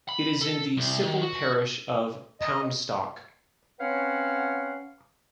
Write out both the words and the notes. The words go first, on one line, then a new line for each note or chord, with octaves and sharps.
It is in the civil parish of Poundstock.
B5
A4
C2
D#3
F#4
D#5
C4 C#4 B4 C#5 F5 F#5